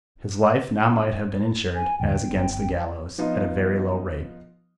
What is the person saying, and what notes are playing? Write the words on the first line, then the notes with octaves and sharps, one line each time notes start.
His life now might have been insured, as against the gallows, at a very low rate.
G#5
A1 E2 D3 G5
G1 B3
F3 B3 D#4 F4 D#5